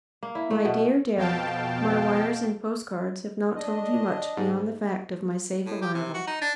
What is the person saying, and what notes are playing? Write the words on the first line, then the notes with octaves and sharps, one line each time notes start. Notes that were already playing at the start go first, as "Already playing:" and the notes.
My dear Deryck: My wires and post-cards have not told you much beyond the fact of my safe arrival.
A#3
E4
A3
B2
F2 B2 F5 G5 A5
D4 D#5
G#2
A2
G4
C3
F#4
D#4
D4